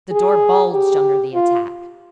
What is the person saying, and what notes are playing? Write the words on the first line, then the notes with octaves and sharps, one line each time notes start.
The door bulged under the attack.
G#4
G4
F4